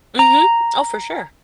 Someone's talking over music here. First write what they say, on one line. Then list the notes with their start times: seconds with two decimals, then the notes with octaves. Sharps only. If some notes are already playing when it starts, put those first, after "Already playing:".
Mhm. Oh, for sure.
0.19 A#5